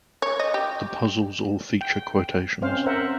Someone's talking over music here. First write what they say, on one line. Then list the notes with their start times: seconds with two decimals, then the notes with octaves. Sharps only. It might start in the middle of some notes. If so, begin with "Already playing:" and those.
The puzzles all feature quotations.
0.22 C#5
0.40 D#5
0.54 G4
1.81 G5
2.62 C4 C#4 C5 F5
2.86 A#4 C5 E5 F#5